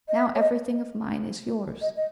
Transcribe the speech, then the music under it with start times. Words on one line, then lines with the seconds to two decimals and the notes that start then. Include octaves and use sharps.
Now everything of mine is yours.
0.08 D#5
0.16 E5
0.35 C#5
0.40 D#5
1.81 D#5
1.96 D#5